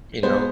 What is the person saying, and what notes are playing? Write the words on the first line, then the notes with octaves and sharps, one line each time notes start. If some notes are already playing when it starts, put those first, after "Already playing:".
you know?
B2 G#3 B3 C5